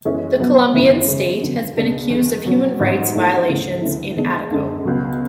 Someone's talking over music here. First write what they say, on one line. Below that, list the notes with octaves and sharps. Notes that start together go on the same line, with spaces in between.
The Colombian state has been accused of human rights violations in Ataco.
F#2 E3 G#3 C#4
B2 F#3 B3
G#1 F#2 C#3 E3 B3
C#3 G#3 C#4
E2 D3 F#3
C#2 B2 G#3 D4
E2 D3 G#3
B2 F#3 C#4
A1 G#2 F#3
G#2 E3 A3 E4
D2 C#3 E3 A3
D2 C#3 E3 A3 E4
E2 D3 G#3 D4
F#2 D3 G#3
C#2 B2 F#3